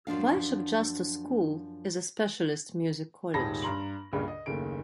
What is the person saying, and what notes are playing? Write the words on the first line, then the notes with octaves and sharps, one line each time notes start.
Bishop Justus School is a specialist Music College.
F#2 F3 D4 F5
D#1 G#2 G4 A5 B5 A#6
G2 A#5 C6 F#7
C#2 G2 A#2 C#3
D#5
F#1 D#2 C#3 A3 D7